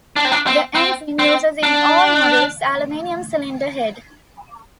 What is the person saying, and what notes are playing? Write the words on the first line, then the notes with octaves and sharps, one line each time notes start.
The engine uses in all models aluminium cylinder head.
D4
C4
D4
C4
C4
C4
D4